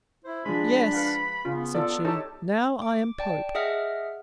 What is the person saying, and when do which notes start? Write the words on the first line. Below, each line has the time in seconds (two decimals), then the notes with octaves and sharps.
"Yes," said she; "now I am pope."
0.24 E4 C5
0.45 F3 G#3 D4 B5
0.93 B4 F5 F#5
1.45 C#3 B3 F4
1.74 F4 A4 D5
2.05 D#4 G4 A4 C#5 A5
2.82 D6
3.19 D5 G5 A5
3.55 G#4 D#5 E5 F#5 F6